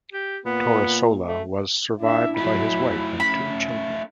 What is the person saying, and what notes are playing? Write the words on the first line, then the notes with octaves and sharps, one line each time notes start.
Torresola was survived by his wife and two children.
G4
A#2 B3
A3
D4 E4 E5
F#3 A3 D#4 B5
C#4 B5